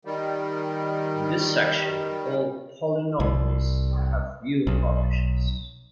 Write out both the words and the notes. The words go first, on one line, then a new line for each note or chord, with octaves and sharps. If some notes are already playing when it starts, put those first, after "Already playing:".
In this section, all polynomials have real coefficients.
D#3 G3
C2
B1